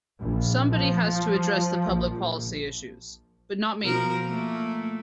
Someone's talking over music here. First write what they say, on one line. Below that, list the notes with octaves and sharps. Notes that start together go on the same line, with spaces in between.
Somebody has to address the public policy issues - but not me.
A#1
F3
A#1
B2 F3 A#4
A3 A#3